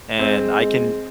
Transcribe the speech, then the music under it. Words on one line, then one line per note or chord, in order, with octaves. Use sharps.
And I can
G#3 C4